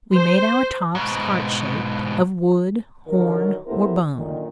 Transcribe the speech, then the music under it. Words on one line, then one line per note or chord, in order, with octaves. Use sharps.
We made our tops heart-shaped of wood, horn or bone.
C5
G#2 B2
D3 D#3 F#3 A#4
B3 E4 G4 A4 A#4 C5
F#2 A#2 D3 D#3